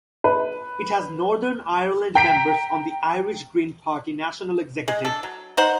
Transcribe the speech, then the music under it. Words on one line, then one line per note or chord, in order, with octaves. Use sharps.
It has Northern Ireland members on the Irish Green Party national executive.
B4
G5 A#5 B6 D7
G#3
D4 A4
F#3
D#4 C5 F#5